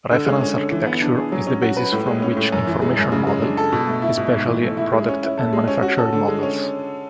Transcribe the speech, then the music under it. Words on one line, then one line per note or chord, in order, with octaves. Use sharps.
Reference architecture is the basis from which information model, especially product and manufacturing models.
D3
G#3
C#4
D3
E3
B3
D4
G#4
F#3
C#4
F#4
B4
A2
G#3
C#4
A2
F#2
E3
G#3
F#2
C#3
G#3
D4
A4
B2
A3
E4
B2
G#2
E3
A3
E4
G#3
C#4
E4
A4
G#3
C#4
F#4
A4
D3
G#3
C#4